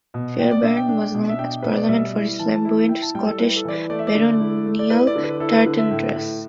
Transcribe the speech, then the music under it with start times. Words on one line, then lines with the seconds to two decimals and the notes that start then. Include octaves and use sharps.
Fairbairn was known at Parliament for his flamboyant Scottish baronial tartan dress.
0.14 B2
0.38 B2 G5
0.51 D5
0.63 D4 E5
0.77 G5
0.89 D4
1.14 B2
1.29 E5
1.39 D4 G5
1.63 B2 B4
1.76 D5
1.89 G3 E5
2.14 E4
2.39 E3 A5
2.55 A5
2.65 E4
2.89 E4 G5
3.02 A5
3.15 G3 G5
3.27 A4
3.40 E4 B4
3.56 A4
3.65 E3 D5
3.73 B4
3.90 A3 D5
3.99 E5
4.07 D5
4.15 D3
4.40 E4
4.66 A3
4.79 D5
4.90 E4 B4
5.07 D5
5.16 D3
5.24 B4
5.40 E4 A4
5.53 B4
5.66 D3
5.78 E5
5.91 A2
6.16 A2